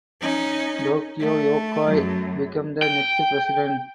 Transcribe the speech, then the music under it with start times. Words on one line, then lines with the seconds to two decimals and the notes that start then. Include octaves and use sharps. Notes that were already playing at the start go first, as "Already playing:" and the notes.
Tokio Yokoi became the next president.
0.21 C#4 D#4
1.20 A3
1.87 F#2
2.83 G5